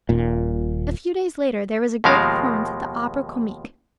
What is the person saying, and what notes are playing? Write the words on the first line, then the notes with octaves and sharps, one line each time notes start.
A few days later there was a great performance at the Opera Comique.
D#1 A#2
D#2 B2 F3 G#3 A#4 F5